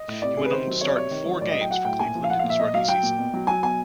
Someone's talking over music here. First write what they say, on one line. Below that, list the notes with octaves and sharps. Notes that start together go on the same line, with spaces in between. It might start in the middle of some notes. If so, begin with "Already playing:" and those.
He went on to start in four games for Cleveland in his rookie season.
Already playing: D#5
A2
C3 D5
C3 G#4
B4
D#3 C5
F#3
C3 C#5
D5
C3 C#5
D#3
F#3
A2 D5
F#3 D#5
G5
F#3 F#5
A2 G5
A#2 G#5
F3
F5
F3 F#5
A#2 F5
E5
A#2 D#5
F#3 F5
F#3 G5
A#2
B2
F#3
F#3 G#5
B2 G#5